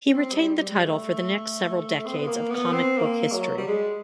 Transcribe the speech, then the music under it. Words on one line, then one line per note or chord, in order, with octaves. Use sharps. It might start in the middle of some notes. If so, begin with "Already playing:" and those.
He retained the title for the next several decades of comic book history.
C#4
C4
G3
G3
G3
A3
C4
B3
A#3
B3
C4
A#3
F#3
G3
G#3